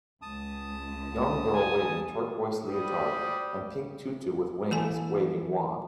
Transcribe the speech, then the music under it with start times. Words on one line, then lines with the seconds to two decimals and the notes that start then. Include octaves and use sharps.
Young girl waving turquiose leotard and pink tutu with wings waving wand.
0.22 C#2 A5 D#6
1.52 G#5
2.66 G3 F#4 C5 B5 D6 D#6
4.71 E3 A#3 E4 A4 G#5 A5